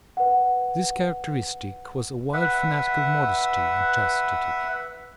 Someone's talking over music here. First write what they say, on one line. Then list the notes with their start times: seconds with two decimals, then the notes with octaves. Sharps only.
This characteristic was a wild fanatical modesty and chastity.
0.17 B4 F#5
2.33 B4 E5 F#5